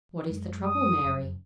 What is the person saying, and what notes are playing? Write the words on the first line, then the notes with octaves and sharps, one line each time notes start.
"What is the trouble, Mary?"
F#2 G#3
D#6
F1 F#2